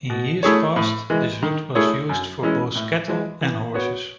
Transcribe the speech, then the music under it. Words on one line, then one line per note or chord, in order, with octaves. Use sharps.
In years past, this route was used for both cattle and horses.
B2
A3 E4 G#4 C#5
A2
E3 G#3
D#3
A3 E4 G#4 C#5
F#2
E3 G#3 C#4 E4
A2
E3 G#3
E3
B3 F#4 C#5